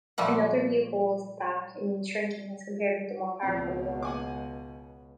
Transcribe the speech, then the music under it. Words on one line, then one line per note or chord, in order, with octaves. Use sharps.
Another view holds that it means "shrinking", as compared with the more powerful Yeo.
A#2 F3 G3 A3 F#5
C#2 B2 F3 C4
F#5 G#5 D6